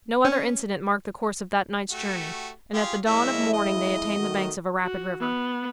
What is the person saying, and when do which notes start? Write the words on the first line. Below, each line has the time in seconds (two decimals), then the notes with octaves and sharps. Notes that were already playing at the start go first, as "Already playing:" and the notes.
No other incident marked the course of that night's journey, and at the dawn of morning they attained the banks of a rapid river.
0.25 C#4
1.91 A3 F#4 G4
2.73 F4 G4 G#4
3.06 F2 G#3 A#3 C#4 E4 E5
3.53 D#5
4.18 D#3 A3 F#4
4.81 F#4
5.20 B3